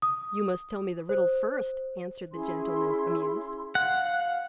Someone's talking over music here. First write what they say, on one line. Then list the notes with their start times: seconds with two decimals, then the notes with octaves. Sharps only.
"You must tell me the riddle first," answered the gentleman, amused.
0.02 D#6
1.09 C5
2.33 C#4 E4 G#4 C6
3.75 F5 F#5